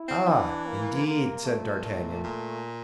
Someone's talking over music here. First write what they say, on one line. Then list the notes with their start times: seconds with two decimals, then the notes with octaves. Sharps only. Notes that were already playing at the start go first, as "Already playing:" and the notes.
"Ah, indeed," said d'Artagnan.
Already playing: E4
0.08 C4
0.28 E3 D4
0.67 A#3
1.06 D3 A#3
1.26 C3
1.45 A#2 A3
1.85 A3
2.24 A#2